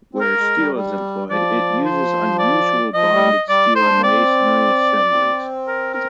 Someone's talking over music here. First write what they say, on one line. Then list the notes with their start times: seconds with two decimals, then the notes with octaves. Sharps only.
Where steel is employed, it uses unusual bonded steel and masonry assemblies.
0.15 C4
0.21 A#3 A#4
0.38 G#3
0.58 G3
0.75 G3
1.30 F3 D5
1.85 C5
2.39 D5
2.94 F3 D#5
3.12 G3
3.49 G3 D5
3.75 D#4 C5
3.85 D4
3.98 A#3
4.03 C4 D5
5.12 C4
5.67 A#4
5.94 A#4